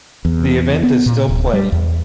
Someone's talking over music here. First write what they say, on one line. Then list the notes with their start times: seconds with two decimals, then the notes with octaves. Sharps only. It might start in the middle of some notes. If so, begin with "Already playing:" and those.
The event is still played.
0.25 E2
0.83 B3
1.06 A#2
1.29 D1
1.53 G3
1.72 E2